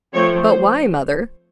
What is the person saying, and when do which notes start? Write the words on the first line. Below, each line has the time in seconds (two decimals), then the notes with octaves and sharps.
"But why, mother?"
0.14 F3 A3 C4 C#5
0.45 C5